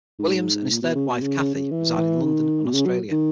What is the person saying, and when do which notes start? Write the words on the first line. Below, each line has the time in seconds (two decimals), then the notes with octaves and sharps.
Williams and his third wife, Kathy, reside in London and Australia.
0.19 G#2
0.71 A#2
0.82 B2
0.95 C#3
1.08 B2
1.21 C#3
1.38 C#3
1.54 C#3
1.71 E3
1.98 E3
2.22 D#3
2.65 B2
2.73 C#3
2.85 F#3
3.11 D#3